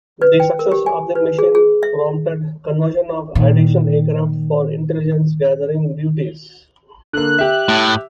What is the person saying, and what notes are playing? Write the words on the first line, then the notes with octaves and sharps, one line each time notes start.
The success of the mission prompted conversion of additional aircraft for intelligence gathering duties.
B4
G5
A#4
G4
G#5
B4
G#4
G#4
E5
A#2 D#3
D3 A#3 F#6
G4 E5
A2